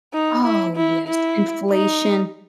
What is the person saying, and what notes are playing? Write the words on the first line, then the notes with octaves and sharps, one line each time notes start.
Oh, yes, inflation.
D#4
E4
E4
E4
D#4